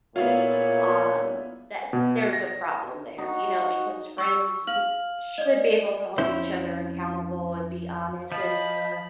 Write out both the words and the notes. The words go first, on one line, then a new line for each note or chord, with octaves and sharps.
um, that there's a problem there, you know, because friends we should be able to hold each other accountable and be honest, and
A#2 B3 E4 F4 G#4 C#5 F5
B2
A#6
D#4 F#4
C#6 E6
F5 F6 F#7
D5 D#5
F2 C#4 E4 C5
F3 D#5 B5